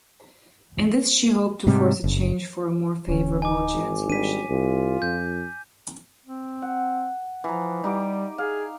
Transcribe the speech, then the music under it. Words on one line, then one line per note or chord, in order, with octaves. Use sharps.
In this she hoped to force a change for a more favorable chancellorship.
G#2 C3 G3
F#1
D1 D3 C#4
D#4 G#5 D6
G#1
G3 D4 B6 D#7
C2 F4
F2 G6
C4
F#5
E3 F3 A#5
G3 D#4 G4 D6
G#4 F5